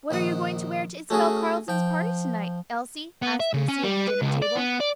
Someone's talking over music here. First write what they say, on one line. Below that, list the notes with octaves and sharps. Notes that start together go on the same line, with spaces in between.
"What are you going to wear to Isabel Carleton's party, to-night, Elsie?" asked Lucy, at the dinner table.
A#1 D#3 F#5
A3 C#4 F#4 G#4
F3 G5
B3
E5
C#3
C#4
G3
B4
C#2
D5
B3
D5